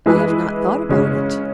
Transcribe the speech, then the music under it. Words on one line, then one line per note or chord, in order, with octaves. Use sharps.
"I have not thought about it."
E3 G#3 E4 G#4 B4
C#3 G#3 C#4